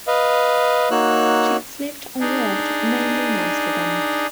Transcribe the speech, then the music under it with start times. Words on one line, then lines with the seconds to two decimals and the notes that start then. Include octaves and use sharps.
She has lived and worked mainly in Amsterdam.
0.07 B4 D#5 F5
0.91 A#3 D#4 F#4 C#5 E6 F#6
2.20 D4 D#4 G#4